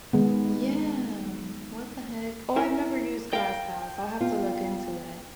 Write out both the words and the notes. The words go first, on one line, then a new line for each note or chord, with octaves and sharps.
yeah, what the heck? Oh, I've never used ClassPass. I'll have to look into it.
D#3 G#3 B3
E4 A#4
A#4 F5 G5
B3 F4